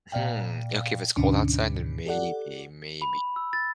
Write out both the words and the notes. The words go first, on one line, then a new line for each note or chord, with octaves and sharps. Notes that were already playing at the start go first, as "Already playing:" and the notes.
Hmm, okay, if it's cold outside, then maybe maybe.
A#2 D5 F5 G5
D2 G#2 B2 D3 C#4 D4
G4 A4 D5 F#5
B5
E6
A6